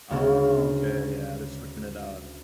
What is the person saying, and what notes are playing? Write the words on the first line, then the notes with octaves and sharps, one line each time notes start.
Okay, yeah, they're switching it out.
D2 C#3 G#3 B3